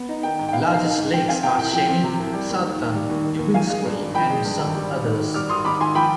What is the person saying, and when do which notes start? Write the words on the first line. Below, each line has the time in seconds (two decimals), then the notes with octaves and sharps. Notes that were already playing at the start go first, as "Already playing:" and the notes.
Largest lakes are Chany, Sartlan, Ubinskoye, and some others.
Already playing: B3
0.09 D#4
0.23 D#3 G5
0.39 G#2
0.48 G5
0.53 B3 F5
0.68 D#4
0.74 F5
0.84 D#3
0.98 G#2
1.13 F3 G5
1.28 C4 F5 G#5
1.43 C3 G5
1.58 C2 G5
1.73 F3 G5
1.89 C4
2.04 C3
2.19 C2
2.34 G3
2.49 D#2
2.64 D#3
2.79 D#2
2.94 G3
3.10 D#2
3.24 D#3
3.39 D#2
3.54 F3 F5 G#5
3.70 G#3
3.85 G2
4.00 G#1
4.15 F3 G5 B5
4.30 G#3
4.45 G2
4.59 G#1
4.74 G3
4.90 G#1
5.05 G#2
5.20 G#1
5.34 G3 D6 F6
5.49 G#1 C6 D#6
5.65 G#2 B5 D6
5.80 G#1 G#5 C6
5.95 F3 G5 B5